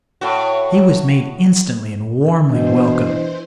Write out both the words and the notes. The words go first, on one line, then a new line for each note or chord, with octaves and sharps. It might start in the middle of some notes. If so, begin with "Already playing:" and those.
He was made instantly and warmly welcome.
A2 F#4
B2 E3 D4 C5 D#5